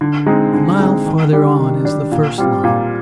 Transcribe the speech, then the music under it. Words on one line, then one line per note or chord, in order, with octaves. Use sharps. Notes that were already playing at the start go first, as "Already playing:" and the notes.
A mile farther on is the first line.
D3
G#3 C4 D#4
D3
G#3 C4 D#4
D#3
G3 D4 G4
D#3
G3 D4 G4
A#2
G3 C4 F4
A#2